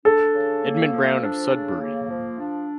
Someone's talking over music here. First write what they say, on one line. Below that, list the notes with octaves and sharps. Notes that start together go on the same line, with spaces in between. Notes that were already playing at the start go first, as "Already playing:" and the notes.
Edmund Brown of Sudbury.
D4 A4
C#3
A#3
F3
D4
C#3
A#3
F3
D4